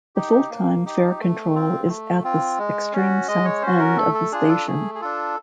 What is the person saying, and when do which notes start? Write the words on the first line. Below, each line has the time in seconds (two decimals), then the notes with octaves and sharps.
The full-time fare control is at the extreme south end of the station.
0.16 D#4 G4
0.50 A#3
0.85 D#4 G4
1.20 A3
1.54 C4 F4
1.88 A3
2.24 C4 F4
2.58 G#3
2.93 C#4 F#4
3.28 G#3 D#5
3.45 C#5
3.62 C#4 F#4 C5
3.80 A#4
3.97 A3 A4
4.14 A4
4.32 D4 F4 G#4
4.49 A4
4.66 A3 G#4
4.95 G#4
5.01 D4 F4 A4